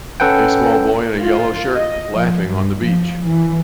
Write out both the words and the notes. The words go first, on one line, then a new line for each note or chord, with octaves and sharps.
A small boy in a yellow shirt laughing on the beach.
C#4 A4 B4 F#5 G5
F4
D#5
F3
G2
F3
E3